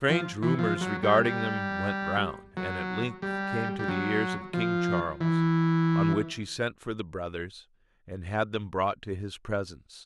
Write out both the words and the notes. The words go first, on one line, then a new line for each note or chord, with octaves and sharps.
Strange rumours regarding them went round, and at length came to the ears of King Charles; on which he sent for the brothers, and had them brought to his presence.
F3
E3
F3
F#3
G3
G3
F#3
G3
G3
F#3
F3
E3